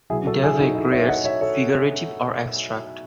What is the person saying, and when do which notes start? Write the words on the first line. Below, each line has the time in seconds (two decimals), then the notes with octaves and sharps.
Davey creates figurative or abstract.
0.10 B2 F#3 E4 G#4
0.26 F#4 A4
0.43 E4 G#4
0.60 D#4 F#4
0.75 E4 G#4
0.92 C#5 E5
1.08 D#5 F#5
1.24 C#5 E5
1.41 A4 C#5